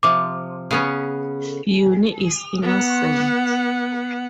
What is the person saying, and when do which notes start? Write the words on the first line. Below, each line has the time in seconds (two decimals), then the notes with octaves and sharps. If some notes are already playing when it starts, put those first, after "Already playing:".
Unni is innocent.
0.03 C3 F3 D6
0.71 C#3 B3 C#4
2.63 B3 F#5